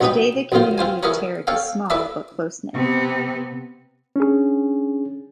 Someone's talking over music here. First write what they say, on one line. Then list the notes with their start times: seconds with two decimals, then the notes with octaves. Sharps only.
Today the community of Terrick is small, but close-knit.
0.01 A#1 B2 D4 D#4 B4 G5
0.52 A#1 F#2 A2 D#3 F4 C5
0.78 C4 F4 C5 G#5
1.03 E3 E4 G#4 A#4 B4 C#5
1.47 A4 C#5 F5 G5
1.90 E4 A4 B4 D5 E5 A5
2.74 C3 B3
4.16 C#4 D4 G#4